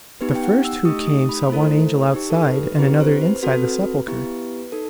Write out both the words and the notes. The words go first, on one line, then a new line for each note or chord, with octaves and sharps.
The first who came saw one angel outside and another inside the sepulchre.
B3 D#4 G4 B4
G5
F#5
E6
A3 D#4 G4 D#6
D#6
B5
A3 E4 A4 C5
D#4 G4
A4
B4
C4 E4 G4 B4
C5
B4
C4 F#4 A4 B4
B3 E4 G4
D#4 A4